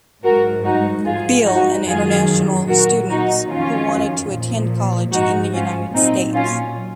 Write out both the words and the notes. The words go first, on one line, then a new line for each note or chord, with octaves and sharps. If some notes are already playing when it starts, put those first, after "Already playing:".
Bill, and international students who wanted to attend college in the United States.
G#2 F#3 F#4 A#4
D#4 F#4
G#2 F3 F4 G#4
D#4 F#4
F#2 D#3 F#3 F4 G#4
A#2 F#3 F#4 A#4
D#4 F#4
F2 D#3 F#3 C#4 F4
A#2 F3
G#2 F3 D#4 F#4
C#4 F4
A#2 F#3 C4 D#4
C#4 F4